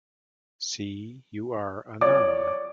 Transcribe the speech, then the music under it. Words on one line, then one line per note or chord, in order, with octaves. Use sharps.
See, you are a nun.
C#5 D5 D6